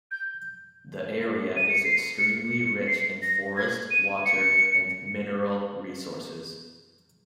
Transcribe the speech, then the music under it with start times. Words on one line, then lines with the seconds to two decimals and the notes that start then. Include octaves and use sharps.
The area is extremely rich in forest, water and mineral resources.
0.11 G6
1.56 D#7
1.69 C#7
1.84 C7
2.18 C#7
2.53 C#7
2.87 C7
3.22 A#6
3.57 G#6
3.91 D#7
4.26 C#7